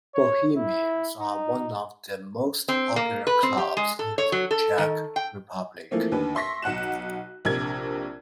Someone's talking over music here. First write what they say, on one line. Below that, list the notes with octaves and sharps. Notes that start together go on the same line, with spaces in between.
Bohemians are one of the most popular clubs in the Czech Republic.
C#5
E4
D#4
C4
A#3
B4
C4
G4
G#3
A4
C#5
F#3
A4
D#3
G5
E3 F3 A3 A#3 C4
D#2 D3 B4
E5 C6 C#6 A#6 B6
B1 F#5 F#6 E7
A#1 C3 D4 A#4 G#6